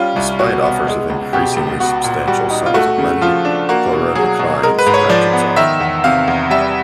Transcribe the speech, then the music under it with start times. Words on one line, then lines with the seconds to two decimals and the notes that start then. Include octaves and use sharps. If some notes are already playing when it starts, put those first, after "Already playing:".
Despite offers of increasingly substantial sums of money, Poirot declines Ratchett's offer.
Already playing: G3 C#4 F4
0.16 C2
0.39 B2 F#4
0.63 B3
0.87 G#3
1.10 C#2
1.33 B2 G4
1.57 C#2
1.80 B3 F#4
2.04 A#2
2.27 G3 F#4
2.50 D#4
2.66 F4
2.74 A3 F#4
2.98 C#3
3.21 F3 F4
3.45 D4
3.69 A#3 F#4
3.92 B2
4.15 F#3 G#4
4.39 B2
4.63 G#3 A#4
4.79 B4
4.87 G#2
4.94 C#5
5.09 F3 D5
5.33 B3
5.56 D#3 E5
5.80 E2
6.04 C3 F5
6.28 E2
6.51 G3 E5